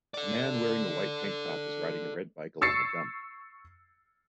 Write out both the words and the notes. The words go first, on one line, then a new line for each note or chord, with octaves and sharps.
A man wearing a white tank top is riding a red bike along a jump.
A4 D5
C#6 E6 A6 C7 C#7